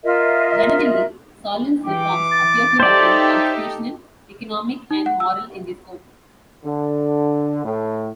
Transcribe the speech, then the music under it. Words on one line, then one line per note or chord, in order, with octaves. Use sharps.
Generally, Solon's reforms appear to have been constitutional, economic and moral in their scope.
F4 A#4 D#5 E5
E3 G5 D6
A6
D#4 G4 A4 C5 D5 E5
D#4
F#5
E6
D3
A2